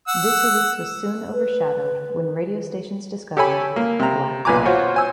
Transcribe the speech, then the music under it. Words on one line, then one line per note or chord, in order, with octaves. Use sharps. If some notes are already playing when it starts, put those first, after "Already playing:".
This release was soon overshadowed when radio stations discovered "Black Water".
F#5 E6
B4
G4 A4 C#5 G#5 B5
A#3
C3 A#5
B1 A#2 B4 G#5 A#5 D6
F4 F#4 C5 C#5
C5 G#5 E6